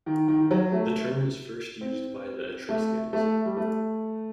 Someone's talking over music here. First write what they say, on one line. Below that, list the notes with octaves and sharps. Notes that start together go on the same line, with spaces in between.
The term was first used by the Etruscans.
D#3
D#3
D#3
F#3
A3
C4
A3
A3
G3
A3